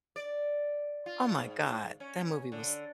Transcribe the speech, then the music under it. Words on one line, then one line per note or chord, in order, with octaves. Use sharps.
oh my god. That movie was
D5
F4
G#2
C#4
D3